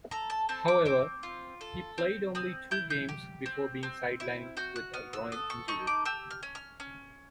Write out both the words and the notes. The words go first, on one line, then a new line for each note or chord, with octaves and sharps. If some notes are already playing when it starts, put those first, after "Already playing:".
However, he played only two games before being sidelined with a groin injury.
A4 A#5
A5
C4 A5
D6
C4 D6
F4
A4
C4
C4 D#6
E4 G6
G6
G4
C4
C4
E4
F#4 G6
F#6
B3 F6
E6
A4 D#6
C#6
D#4 C#6
D6
G4 E6
F6
C#4
F6
C#4